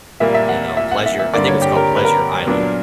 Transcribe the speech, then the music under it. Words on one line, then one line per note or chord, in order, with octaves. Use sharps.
you know, Pleasure I think it was called Pleasure Island.
A#2 G3 A#3 E5
E5
F#5
E5
F#5
E5
E5
G2 D3 A#3 D5
C#5
G4
A#4
B4
A#4
A#2 F#3 B3 D4